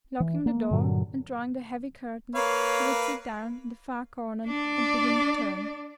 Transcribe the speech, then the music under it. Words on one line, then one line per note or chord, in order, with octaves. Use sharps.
Locking the door and drawing the heavy curtain, she would sit down in the far corner and begin to turn.
E3
A#3
G2 A#2 D3 F#3
A#3 B4 C#5 F5
D4 D5